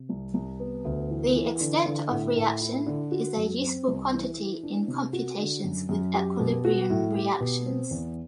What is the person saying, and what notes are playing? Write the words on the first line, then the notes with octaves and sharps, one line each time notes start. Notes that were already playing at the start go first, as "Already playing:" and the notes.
The extent of reaction is a useful quantity in computations with equilibrium reactions.
Already playing: C3
C2
C2
B3
D2
E3
E3
D3
D3
A2
A2
E4
D3
F#4
F#2
C4
C2
E3
E3
D4
C3
F#4
D3
F#2
F#2
G4
B2
F#4
A2
G4
B2
C4
E2